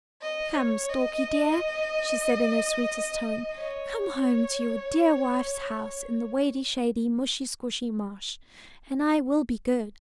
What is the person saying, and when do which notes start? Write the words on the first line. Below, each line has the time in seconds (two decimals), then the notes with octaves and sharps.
"Come, Storkie dear," she said in her sweetest tone, "come home to your dear wife's house in the wady-shady, mushy-squshy marsh, and I will be good."
0.22 D#5
0.55 C#5
0.89 D#5
3.57 C#5